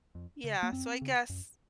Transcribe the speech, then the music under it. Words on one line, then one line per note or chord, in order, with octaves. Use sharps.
Yeah. So, I guess,
F2
C#3
A#3
F#2 C4
C#3
F#2